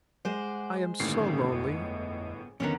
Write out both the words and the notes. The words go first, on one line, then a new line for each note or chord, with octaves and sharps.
I am so lonely.
G#3 C5 F#5 D6
G1 A2 D3 D#3 G3 A#3 C#4 C7
F2 B3 D#5
E2 D3 D#3 B3 C#4 A#5